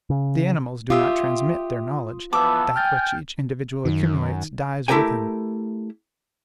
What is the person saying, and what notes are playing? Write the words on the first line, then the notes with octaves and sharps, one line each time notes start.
The animals do not transmit their knowledge; that which each individual accumulates dies with him.
C#3
F4 G4 E5 C6 D#6
E3 F3 B3 A5 D6 E6
G5 G#5 F6 G6 A6
F#2 D#3
A3 E4 G4 A#4 G5 G#5